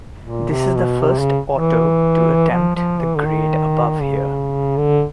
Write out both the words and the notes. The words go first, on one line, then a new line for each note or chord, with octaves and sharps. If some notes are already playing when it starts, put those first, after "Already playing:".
This is the first auto to attempt the grade above here.
A#2
C3
B2
C3
C#3
E3
F3
F3
E3
D3
D#3
C#3
D3